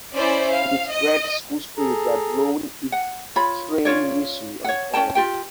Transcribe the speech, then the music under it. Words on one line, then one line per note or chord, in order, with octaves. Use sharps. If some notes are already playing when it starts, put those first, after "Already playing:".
It spreads school spirit by blowing its train whistle and horn.
C#4 E4 C5 D5
F5
D#5
G#4 A4 A#5
F#5
F4 C#5 B5
C#4 F4 C#5 D5
C#5 F#5
C#4 G#4 G5 A5
F4 G4 G5